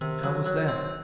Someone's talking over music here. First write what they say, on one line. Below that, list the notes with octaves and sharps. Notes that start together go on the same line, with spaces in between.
"How was that?"
C3 D#3
F#3
F#3
C4